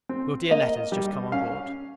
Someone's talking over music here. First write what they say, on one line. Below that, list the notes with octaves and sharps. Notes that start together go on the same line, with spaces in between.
Your dear letters just come on board.
C4
A#3 D#5
G3
C#4 F5